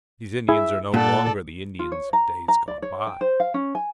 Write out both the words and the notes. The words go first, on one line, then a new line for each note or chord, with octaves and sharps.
These Indians are no longer the Indians of days gone by.
E4 G#4 E5
A#2 A4 D5 F#5
F4
C#5
A#5
A#5
D5
C#5
G5
C5
F5
C#4
G#5